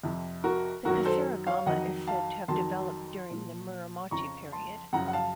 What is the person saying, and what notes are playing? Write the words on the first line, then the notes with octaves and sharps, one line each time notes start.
The kusarigama is said to have developed during the "Muromachi period".
F2 C3 F3
F#4 A#4
F#2 D#3 F#3 F#4 A#4
A4 C5
C#5 F5
F2 D#3 F#3 D#5 F#5
F5 A5
F2 D#3 F#3 A5 C6
A#2 F3
F2 C#3 F3 A#5 C#6
A5 C6
F#2 C#3 F3 F#5 A#5
F#5
F5 A5